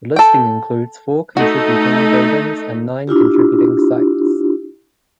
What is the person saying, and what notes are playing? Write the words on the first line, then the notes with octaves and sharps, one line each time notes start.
The listing includes four contributing buildings and nine contributing sites.
A4 G5
A3 D#4 F#4
D4 E4 F4 G4